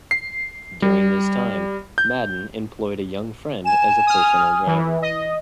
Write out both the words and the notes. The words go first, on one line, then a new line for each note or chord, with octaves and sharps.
During this time, Madden employed a young friend as a personal driver.
C7
G3
G6
G#5 E7
D#6 F6
E3
D#5